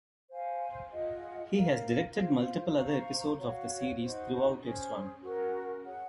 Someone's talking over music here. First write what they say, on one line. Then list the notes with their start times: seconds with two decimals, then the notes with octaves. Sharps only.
He has directed multiple other episodes of the series throughout its run.
0.29 C5 F5 G#5
0.91 F4 G#4 D#5 F#5
1.53 A#4 F5 A#5
2.15 F4 C5 F5
2.76 C5 F5 A#5 C#6
3.37 F#4 C#5 F5
4.00 D#4 F#4 C5
4.61 C#4 G#4 C5
5.22 C#4 F#4 A#4
5.84 G#4 C#5 F#5